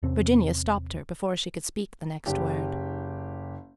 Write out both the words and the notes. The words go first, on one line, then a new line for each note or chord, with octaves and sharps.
Virginia stopped her before she could speak the next word.
E2 C3 C4 C#4
F#1 G4